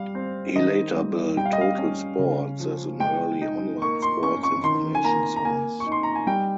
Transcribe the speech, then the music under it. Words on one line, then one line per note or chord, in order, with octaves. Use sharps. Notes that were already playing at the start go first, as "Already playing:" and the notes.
He later built Total Sports as an early online sports information source.
Already playing: G3 F5
C4
D#3 D#5
G3
G3 G5
F5
D#5
F5
C#4
C#3
F3
G#3 G5
D#4
A#3 C#6
C6
C#4 C#6
C#6
D#3 C6
G#5
A#3 A#5
A#5
A#3 G#5
C#6
D#4
C6
A#5
G#5
G3 G5